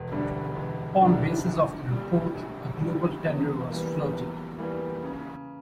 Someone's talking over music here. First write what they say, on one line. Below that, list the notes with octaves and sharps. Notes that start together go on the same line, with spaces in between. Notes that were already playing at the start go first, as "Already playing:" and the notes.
On basis of the report, a global tender was floated.
Already playing: E1
D2 D3 G3 D4
E1
D2 D3 G3 D4
A#1
A#2 G3
A#1
A#2 G3
E2
E3 G3 A#3
E2
E3 G3 A#3
C#3